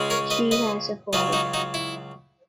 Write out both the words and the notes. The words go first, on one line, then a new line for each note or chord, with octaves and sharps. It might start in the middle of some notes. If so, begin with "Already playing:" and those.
She has a fault.
Already playing: C#2 C#3 G#3 C#4
A#4 C#5
B4 D#5
B4 D#5
C#2 C#3 F#3 B4 D#5
D#4 F#4
D#4 F#4
E4